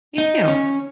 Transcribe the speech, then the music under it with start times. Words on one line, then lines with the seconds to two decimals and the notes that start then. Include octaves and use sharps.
Me too.
0.18 D#4
0.48 C#4